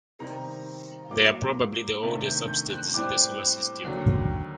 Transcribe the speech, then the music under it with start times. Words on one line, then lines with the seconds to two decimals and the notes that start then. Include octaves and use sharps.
They are probably the oldest substances in the Solar System.
0.20 C3 D#3 G3 C4 D#4 A#5
1.11 A2 F#3 A#3 D6
2.03 C3 D#3 A3 D4
2.26 G6
2.48 G6
2.70 F#6
2.94 A2 G3 C4 D6
3.85 D#2 D3 F#3